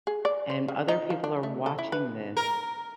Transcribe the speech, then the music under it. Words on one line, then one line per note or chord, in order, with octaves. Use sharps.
and other people are watching this,
G#4
D5
C5
C#3
D#4
F3
D4
A3
A4
E4
B4
A#4